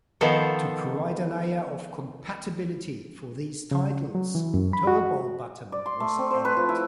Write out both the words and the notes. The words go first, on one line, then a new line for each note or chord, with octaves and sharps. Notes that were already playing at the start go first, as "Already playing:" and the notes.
To provide a layer of compatibility for these titles, the "turbo" button was added.
D#3 F3 B3 A4 C5
C#3
F#3
E3
F#2
B5
F#4
D5
C6
A3
C4
C5
B4
F3
E4